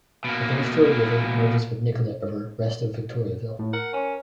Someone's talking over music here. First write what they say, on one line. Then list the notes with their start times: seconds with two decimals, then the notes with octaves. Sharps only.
The Bulstrode River merges with Nicolet River west of Victoriaville.
0.24 B2 A#3
3.59 A2
3.73 A#4 F#5
3.93 C#4